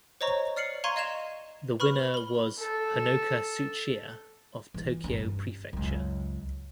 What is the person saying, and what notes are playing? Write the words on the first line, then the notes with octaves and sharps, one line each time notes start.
The winner was Honoka Tsuchiya of Tokyo Prefecture.
C5 C#5 D#5 A#5 C#6
D5 F6 C7 C#7 F#7
F5 A#5 C6 C#6 G#6 D#7
D#5 F5 G#6 E7 F7
B4 B5 C#6 F6
B5 G7
A4
E3
G2 C#4
C#2 F#2